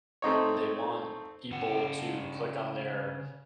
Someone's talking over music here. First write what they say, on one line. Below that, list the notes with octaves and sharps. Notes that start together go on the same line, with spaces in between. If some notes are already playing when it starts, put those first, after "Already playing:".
they want people to click on their
A3 C4 D#4 C#5
C#3 F#5